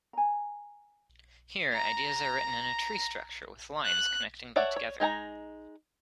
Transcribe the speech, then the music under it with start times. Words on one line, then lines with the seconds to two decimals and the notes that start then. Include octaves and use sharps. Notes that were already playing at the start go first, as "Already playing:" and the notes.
Here, ideas are written in a tree structure, with lines connecting them together.
0.13 G#5 A#5
1.73 A#5 A#6
3.84 F#6
4.56 A4 C#5 D5 E5 F#5
4.76 C#5
5.00 G#3 D#4 G#5 A#5